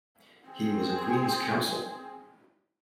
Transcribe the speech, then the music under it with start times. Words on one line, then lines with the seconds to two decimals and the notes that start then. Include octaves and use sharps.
He was a Queen's Counsel.
0.48 C4 G#4